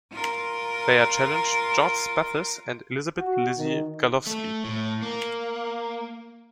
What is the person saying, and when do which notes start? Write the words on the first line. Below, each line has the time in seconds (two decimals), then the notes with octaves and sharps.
They are challenged George Spathis and Elizabeth "Lizzy" Garlovsky.
0.13 F4 A#4
3.18 F#4
3.58 D#3
4.27 A3
4.64 A2
5.02 A#3